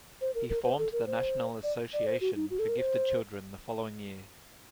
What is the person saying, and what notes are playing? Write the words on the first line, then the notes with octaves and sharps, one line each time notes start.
He formed the National Association for Gifted Children the following year.
C5
A#4
A#4
C5
A4
A#4
C5
D5
D5
C5
F#4
D#4
F#4
A4
A#4
C5